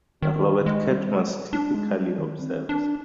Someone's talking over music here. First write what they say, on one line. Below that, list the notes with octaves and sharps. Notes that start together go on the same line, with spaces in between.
Robert Cadmus typically observes.
D#3
G#3
G3
G#3
D4
G#3
G3
D#3
C4
D4